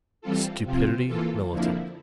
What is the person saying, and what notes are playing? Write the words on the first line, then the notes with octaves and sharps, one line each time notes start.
Stupidity militant.
E3 G3 C4 F4 A4
C3 F3 C4 F4
E3 A#3 F4 A4
F2 D3 F3 A#3 E4